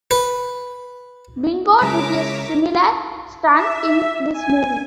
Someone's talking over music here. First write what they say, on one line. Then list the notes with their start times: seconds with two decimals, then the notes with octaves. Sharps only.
Bingo did a similar stunt in this movie.
0.11 B4
1.81 C#3 G#3 E4 A#4 C#5 E5 A#5 D6
3.53 E5
4.33 G#5